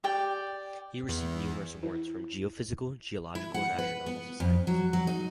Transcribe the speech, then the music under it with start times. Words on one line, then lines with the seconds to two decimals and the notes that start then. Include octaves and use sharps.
He received numerous awards from geophysical, geological and astronomical societies.
0.04 G4 D5 G5
1.09 E2
1.83 E4
3.35 E4
3.54 F#5
3.78 B4
4.06 B3
4.40 F2
4.67 F#3
4.93 F#3
5.07 D#4